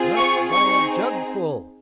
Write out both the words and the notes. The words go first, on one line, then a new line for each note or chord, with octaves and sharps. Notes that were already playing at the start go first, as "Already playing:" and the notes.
"Not by a jugfull!"
Already playing: C4 F4 G#4
C#6
C4 D#4 G#4 C#6